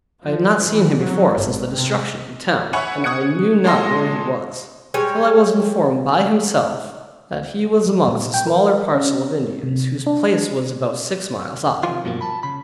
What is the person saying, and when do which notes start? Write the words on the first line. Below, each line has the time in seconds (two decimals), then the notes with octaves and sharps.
I had not seen him before, since the destruction of the town, and I knew not where he was, till I was informed by himself, that he was amongst a smaller parcel of Indians, whose place was about six miles off.
0.23 F3
0.66 E3
0.98 F#3
1.32 G#1
1.70 C3
2.73 C#5 E5 F#5 G#5 B5 C#6
3.04 C#6 D#6 F#6 G#6 C#7
3.64 A#2 G#3 A4 D#5 C6 A#6
4.94 G3 G#3 C#5 G#5
7.86 G3
8.08 A#2
8.34 G5
8.47 A#4
8.95 C#4
9.63 C3
10.07 D4
11.83 C3 D#3 F3 F4
12.04 G2 B2 F3 F#3 A#3
12.21 A5 B5
12.43 C#3 B5